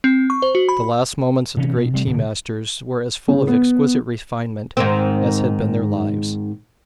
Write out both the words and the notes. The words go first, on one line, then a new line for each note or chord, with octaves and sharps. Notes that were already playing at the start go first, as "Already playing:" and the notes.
The last moments of the great tea-masters were as full of exquisite refinement as had been their lives.
C4
C#6
C5
F#4
B5
C3 E3 C#4
B2
C3 G3 A3 C4
D1 B2 D3
C#3
B3
G#2 D#3 C4